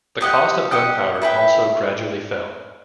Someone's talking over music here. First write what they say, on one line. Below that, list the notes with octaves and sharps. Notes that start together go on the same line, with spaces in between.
The cost of gunpowder also gradually fell.
G4 D#5 F#5
G4 D#5 F#5
E4 B4 E5 G5